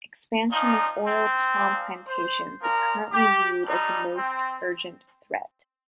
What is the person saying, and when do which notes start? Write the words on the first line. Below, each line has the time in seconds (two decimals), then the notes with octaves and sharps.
Expansion of oil palm plantations is currently viewed as the most urgent threat.
0.51 A#2 F3 D#4
1.03 C4
1.55 A#2 F3
2.07 C5
2.59 A#2 F3 A#4
3.12 G4
3.64 G2 G3 D#4
4.16 C4